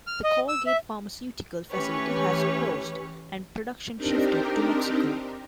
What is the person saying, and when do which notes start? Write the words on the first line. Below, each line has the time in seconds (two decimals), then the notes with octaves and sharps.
The Colgate pharmaceutical facility has closed and production shifted to Mexico.
0.07 F6
0.24 D#5
0.48 E6
0.67 E5
1.72 E3 A3 C#4 G4 B4 C#5
3.96 C4 D4 D#4 G4 A#4